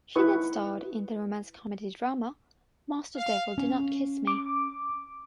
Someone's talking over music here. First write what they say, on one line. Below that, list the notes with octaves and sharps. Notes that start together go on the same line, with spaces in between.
She then starred in the romance comedy drama "Master Devil Do Not Kiss Me".
D#4 E4 B4 C#6 D#6
F5
C#4
D6